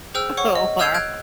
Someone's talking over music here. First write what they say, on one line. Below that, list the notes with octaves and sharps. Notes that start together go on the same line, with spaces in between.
Oh, wow.
G#4 C5 G5 E6 F6
C#5 F#5 C#6
D#5
E6 F6 G6 G#6 C7 F7
F#6 G#6 D7